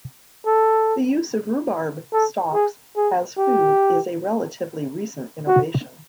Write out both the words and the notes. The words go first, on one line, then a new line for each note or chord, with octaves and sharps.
The use of rhubarb stalks as food is a relatively recent innovation.
A4
A4
G#4
G#4
G4
F#4